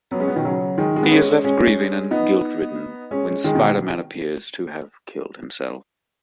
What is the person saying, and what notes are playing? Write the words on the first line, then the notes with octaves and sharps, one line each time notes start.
He is left grieving and guilt-ridden when Spider-Man appears to have killed himself.
F#3 B3
G#3 C#4
F#3 B3
B2 D#3
C#3 F#3
D#3 G#3
G#3
B3
G#3 C#4
G#3 C#4
B3 D#4
G#3 C#4
D#3 G#3
B2 D#3